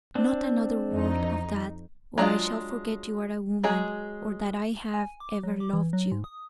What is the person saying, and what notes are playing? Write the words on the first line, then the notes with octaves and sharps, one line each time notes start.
"Not another word of that, or I shall forget you are a woman or that I have ever loved you."
C4 D4
F2 D#4
F#3 G#3 D4 F4
F#3 G#3 G#4
G#5
D6
F#3
D6
E3
F#3
G#2
D#6